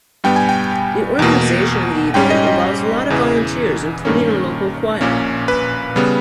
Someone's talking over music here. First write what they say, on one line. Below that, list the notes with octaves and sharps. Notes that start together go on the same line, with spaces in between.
The organization of the event involves a lot of volunteers, including a local choir.
G2 G3 B3 G5
G#5
G5
E2 B2 A#3
G#2 G3 C#4 G5
D#5
D#5
E2 C#3 E3
G2 D#3 A#3 C#4
A#1 A#2 A#3 C#4
B4
C#3 G3 B3